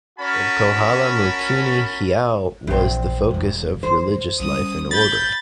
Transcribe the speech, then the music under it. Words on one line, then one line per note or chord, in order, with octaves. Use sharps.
In Kohala Mookini Heiau was the focus of religious life and order.
C#4 F#4 A#4 A5 B5
A#1 E2 C4
E1 F4
E2 C5
G3 C#4 D#6
B5 G6 A6